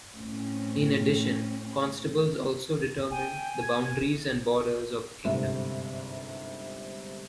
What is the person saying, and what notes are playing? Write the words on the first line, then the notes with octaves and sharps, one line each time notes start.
In addition, constables also determined the boundaries and borders of the kingdom.
A2 C4 C#4
G5 G#5
G#6
G#6
G1 G#2 C3 E5